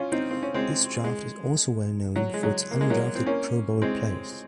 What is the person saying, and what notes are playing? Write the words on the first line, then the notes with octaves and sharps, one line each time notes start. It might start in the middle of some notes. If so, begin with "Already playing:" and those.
This draft is also well known for its undrafted Pro Bowl players.
Already playing: C#4 F4
C4 D#4
C4
C#4
G#3 C4
G#3
F#3
G#3
F#3
A#3
G#3
F#3 A#3
C4
A#3 C#4
G#3 C4